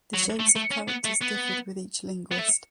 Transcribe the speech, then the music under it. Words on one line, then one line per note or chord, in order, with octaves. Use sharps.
The shapes of characters differed with each linguist.
F#3
A3
A3
C#4
B3
A3
B3
B3
A3